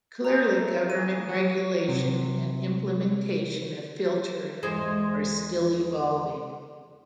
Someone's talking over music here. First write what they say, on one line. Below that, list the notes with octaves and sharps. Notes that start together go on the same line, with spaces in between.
Clearly government regulation and implementation of filtering are still evolving.
G#4 C#5 A#5
A3
C#3 E3 D#7
F#3
C3 F#3
E2 G#3 C5